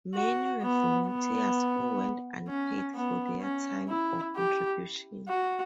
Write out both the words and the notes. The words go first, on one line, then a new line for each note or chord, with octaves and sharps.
Many were volunteers who went unpaid for their time or contribution.
F#4
B3
B3
C#4
B3
C#4
E4
G4
F#4